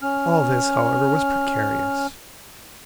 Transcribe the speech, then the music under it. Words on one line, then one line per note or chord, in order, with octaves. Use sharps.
All this, however, was precarious.
C#4 F6